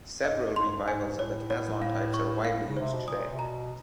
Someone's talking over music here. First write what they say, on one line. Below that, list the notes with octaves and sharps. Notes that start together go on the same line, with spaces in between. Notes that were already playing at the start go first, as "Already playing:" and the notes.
Several revivals of the Caslon types are widely used today.
G#2 D#5
G2 C6
G#2
G2
G#2 G#5
A2 C#5
C#5
F5
C#6
F5
C#3
C3 C5
B2
A#2 D#6
C3
B2 A#5